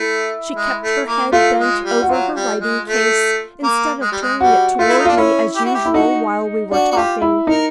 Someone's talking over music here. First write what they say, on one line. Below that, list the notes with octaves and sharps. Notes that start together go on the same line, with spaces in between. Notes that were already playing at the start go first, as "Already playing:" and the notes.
She kept her head bent over her writing-case, instead of turning it toward me as usual while we were talking.
Already playing: A3 E4
G#3
A3
A#3
A3 F4
G#3
G3
F#4
F#3 F4
G3
G#3
A3
A#3
G#3
G3
G#3
G3 F#4
A3 F4
E4
D#4
D4 F4
C#4 E4
G4
F#4
G4
E4
D#4 F#4
D4 F#4
F#4
F4 G4
E4
D#4 A#4